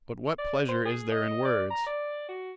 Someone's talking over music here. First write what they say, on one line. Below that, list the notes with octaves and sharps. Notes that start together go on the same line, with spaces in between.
But what pleasure is there in words?
D5
C5
G#4
D#5
D5
A#5
D5
F#4